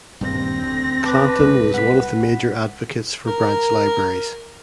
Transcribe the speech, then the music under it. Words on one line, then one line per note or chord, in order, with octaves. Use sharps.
Clanton was one of the major advocates for branch libraries.
D#1 G2 C4 A#6
D2
B4 A5 D6 F#6
C2 G#3
F#5 B6
A#4